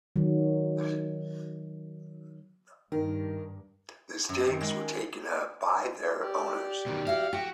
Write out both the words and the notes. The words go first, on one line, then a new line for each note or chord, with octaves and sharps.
The stakes were taken up by their owners.
D#3 F#3
G2 D#3 A#4
F#2
D#3
G#3
G4 D5
B2 D#3
E4 F#4 F5
F#4 G4